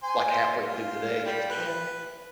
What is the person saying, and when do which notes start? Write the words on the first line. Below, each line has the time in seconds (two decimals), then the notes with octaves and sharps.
like, halfway through the day, she goes, "Dad,
0.03 C5 G#5
0.61 F4
1.26 G3
1.50 B4